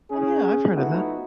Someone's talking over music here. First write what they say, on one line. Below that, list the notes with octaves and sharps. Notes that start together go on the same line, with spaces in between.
Oh yeah, I've heard of that.
C#4 G#4
F3 A3 B3 D#4 E4 F#4